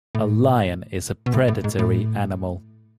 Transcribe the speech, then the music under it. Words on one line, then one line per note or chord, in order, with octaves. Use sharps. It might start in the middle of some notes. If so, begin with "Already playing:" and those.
A lion is a predatory animal.
A2
B2
A2
A2
G#2
A2